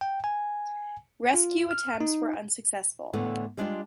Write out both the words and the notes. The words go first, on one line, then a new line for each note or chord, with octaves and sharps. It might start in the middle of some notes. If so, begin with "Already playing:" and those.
Rescue attempts were unsuccessful.
G5
G#5
F4
F6
D#4
A2 D3 E3 A3 B3
G3 G#3 D4 F4 D5 G5